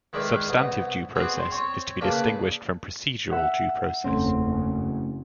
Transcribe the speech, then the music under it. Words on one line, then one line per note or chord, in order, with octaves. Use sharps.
Substantive due process is to be distinguished from procedural due process.
D#3 G#3 E4 A#4 B4 D5
C2 B3 D#6
B3 C4 F#4 G#4 D5
C6
C4 C#5
C#3 A#3 D4 B4 D5
E5 F#5
F#1 E2 C#3 A3 C4 C#4